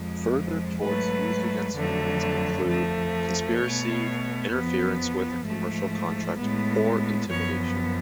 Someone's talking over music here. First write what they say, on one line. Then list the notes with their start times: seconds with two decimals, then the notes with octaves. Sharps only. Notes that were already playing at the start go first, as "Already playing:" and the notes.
Further torts used against unions include conspiracy, interference with a commercial contract or intimidation.
Already playing: F2 F3 G#3
0.82 G#2 F#3 A3 B4
1.74 F2 D3 F#3 A3
2.67 F2 F3 A3
3.60 B2 A3 C#5
4.52 F2 F3 B3
5.45 G#2 F3 A3
6.37 A2 G#3 B3
7.29 F#2 F3 B3 C#5